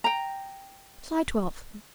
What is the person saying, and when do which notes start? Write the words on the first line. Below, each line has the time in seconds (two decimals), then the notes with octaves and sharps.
July Twelfth.
0.04 G5 A#5